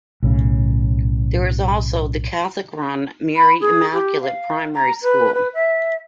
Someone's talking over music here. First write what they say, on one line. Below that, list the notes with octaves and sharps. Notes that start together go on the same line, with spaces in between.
There is also the Catholic run Mary Immaculate Primary School.
B1 A2 C#3
B5
G#4
G4
F5
A#5
B4
B4
E5